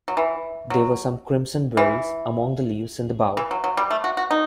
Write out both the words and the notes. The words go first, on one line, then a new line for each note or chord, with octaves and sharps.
There were some crimson berries among the leaves in the bowl.
F#3
E3
F#3
E3
E3
F#3
F#3
G3
A3
F#4
F#4
D#4